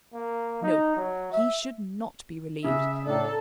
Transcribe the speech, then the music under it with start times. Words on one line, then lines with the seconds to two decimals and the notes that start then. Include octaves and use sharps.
No! he should not be relieved.
0.13 A#3
0.62 D#4
0.96 F#3
1.31 E5
2.64 C#3 E5 D#6
3.05 A2 D4 A4 D5 A#5